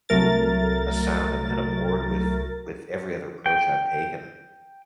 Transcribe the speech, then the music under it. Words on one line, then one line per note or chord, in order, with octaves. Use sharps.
a sound. I'm kinda bored with with every other approach I've taken,
C2 F#3 A3 A#4 A6
G5